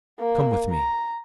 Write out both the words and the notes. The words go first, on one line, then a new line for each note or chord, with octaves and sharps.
Come with me.'
A#3
A#5